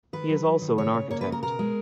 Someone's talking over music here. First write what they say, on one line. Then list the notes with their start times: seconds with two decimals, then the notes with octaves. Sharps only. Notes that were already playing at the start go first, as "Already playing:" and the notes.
He is also an architect.
0.13 D#3 B4
0.29 F#3
0.45 F#3
0.62 D#3
0.78 C#3 C#5
0.94 C#3
1.10 A#3 C#5
1.21 B4
1.26 C#3
1.32 A#4
1.42 B2 A#4
1.59 G#3